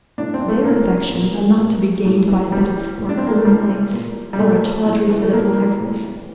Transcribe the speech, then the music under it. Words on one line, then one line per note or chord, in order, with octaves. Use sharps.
Their affections are not to be gained by a bit of sparkling lace, or a tawdry set of liveries.
A2 D4
C4
E3
A3
A2 A#3
E3
A#2
A#2
A2
E3
A2 G3
E3
A2
D4
C4
E3 A#3
A3
A2 G3
E3
A#2
G3
A#2 A3
A2
E3
A3
A2 A#3
E3
A2
E3